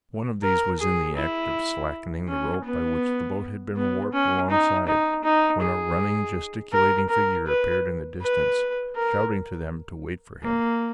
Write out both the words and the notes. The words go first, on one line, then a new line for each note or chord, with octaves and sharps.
One of these was in the act of slackening the rope by which the boat had been warped alongside, when a running, gesticulating figure appeared in the distance, shouting to them to wait for him.
A#4
G#4
E4
C#4
B3
B3
C#4
D#4
D#4
D#4
G#4
A#4
A#4
B4
B4
A#4
A#3